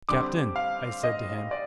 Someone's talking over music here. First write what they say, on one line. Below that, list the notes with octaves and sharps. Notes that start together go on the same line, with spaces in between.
"Captain!" I said to him.
D3 G3 C4 D6
F5
D#5
D5